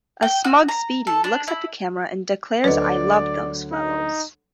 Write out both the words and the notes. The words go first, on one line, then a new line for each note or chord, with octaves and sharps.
A smug Speedy looks at the camera and declares I love those fellows.
G5
F#4
A#5
A4
D4
E4
D2 F#3 B4 D5 D#5
D#4